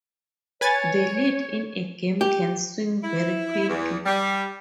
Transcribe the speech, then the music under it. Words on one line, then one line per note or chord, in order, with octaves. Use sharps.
The lead in a game can swing very quickly.
B4 C#5 G#5 A6
G4
E4
E2
G3